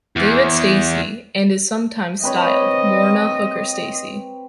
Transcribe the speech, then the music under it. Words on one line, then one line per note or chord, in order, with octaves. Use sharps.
David Stacey, and is sometimes styled Morna Hooker-Stacey.
E2
C4 B4 C#5 D#5